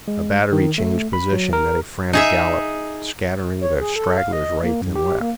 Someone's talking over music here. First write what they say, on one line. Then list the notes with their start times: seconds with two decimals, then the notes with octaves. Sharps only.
A battery changing position at a frantic gallop scattered the stragglers right and left.
0.08 G#3
0.52 D#3
0.78 A3
1.13 B5
1.32 F#3
1.53 A#4
2.13 D#4 G#4 E5
3.61 C#5
3.80 G#4
3.96 A4
4.18 F5
4.32 D#5
4.63 A#3
4.81 F#2
4.96 G4
5.20 A#3